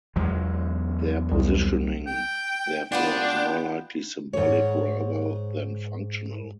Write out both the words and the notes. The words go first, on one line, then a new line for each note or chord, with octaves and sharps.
Their positioning therefore is more likely symbolic rather than functional.
E2 F#3 G#3
C2
G5
B3 D4 F4 F#5 G5
G#2 C#5